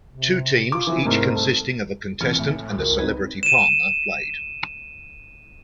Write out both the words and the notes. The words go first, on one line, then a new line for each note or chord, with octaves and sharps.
Two teams, each consisting of a contestant and a celebrity partner, played.
C3
F4 D6
E3 F3 E4
C2 G#2 A3 A#4
A4
C2 E3 F6 C#7
A2 E3
C#2 F#4 A#4
C4 D#4 B4 G#6
D#7 E7